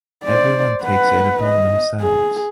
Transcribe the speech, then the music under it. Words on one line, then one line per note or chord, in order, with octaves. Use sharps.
Everyone takes it upon themselves.
C5 D5
B4 F#5
D#5
G#4